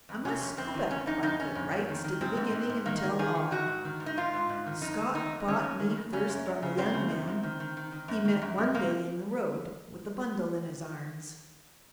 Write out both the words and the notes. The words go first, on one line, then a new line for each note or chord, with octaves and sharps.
I must go back by good rights to the beginning and tell all: Scott bought me first from a young man he met one day in the road, with a bundle in his arms.
F2
C3 C#4
F2
F2 C4
D#3
F2 C#4
F2 D#4
F2 D#4
F2 C#4
F2
F2
D#3
D#3
G#2 C4
G#2
G#2
G#2
D#3 A#3
D#3
D#3 G#4
D#3
D#3 F#4
G#2
D#3
G#2
D#4
G#2 F4
G#2
G#2
D#3
F2 D#4
D#3
D#3 D#4
F2
D#3 C#4
F2
D#3
F2
C#3 C#4
F#2
F#2
C#3
F#2 C4
C#3
F#2
F#2
D#3
D#3
D#3
D#3
F#2
D#3
F#2
F#2
C3 A#3